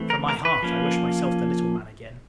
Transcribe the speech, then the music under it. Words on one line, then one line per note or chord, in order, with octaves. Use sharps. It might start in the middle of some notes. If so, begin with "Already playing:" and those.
From my heart, I wish myself the little man again!
Already playing: E3 A3 C4
A#4
A#4
B4
F3 A#3 C#4